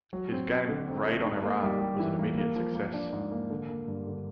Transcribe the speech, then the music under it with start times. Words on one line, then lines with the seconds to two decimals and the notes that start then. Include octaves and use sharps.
His game "Raid on Iran" was an immediate success.
0.13 F#3
0.32 C4
0.49 C4
0.69 D3
0.88 C4
1.06 A3
1.24 D#4
1.43 A#3
1.63 G3
1.81 G3
1.99 E3
2.19 A#3
2.38 A#3
2.56 F3
2.75 A#3
2.93 D4
3.13 G#2
3.32 A#3
3.50 D3
3.69 A#3
3.88 G2
4.07 D3